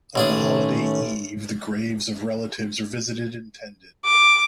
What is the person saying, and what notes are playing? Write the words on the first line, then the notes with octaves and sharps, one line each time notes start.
On the holiday eve the graves of relatives are visited and tended.
A1 D#3 A3 C#4 D4 G#4
D6